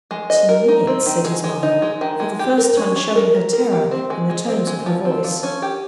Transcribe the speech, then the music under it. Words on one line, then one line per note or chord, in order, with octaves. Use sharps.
'Twenty minutes!' said his mother, for the first time showing her terror in the tones of her voice.
G#3
D#5
A#4
D#4
C4
D#3
G#3
G#3
D#4
G#3
D#3
G#3
G4
A#4
C#4
C#4
A#4
A#4
A#4
G4
C4
G#3
G#3
C4
G#3
F3
C4
F3
C#4
G4